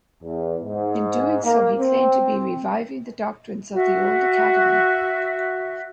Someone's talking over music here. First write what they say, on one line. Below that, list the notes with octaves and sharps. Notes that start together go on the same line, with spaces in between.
In doing so, he claimed to be reviving the doctrines of the Old Academy.
E2
G#2
A#3
C4
F#4 E5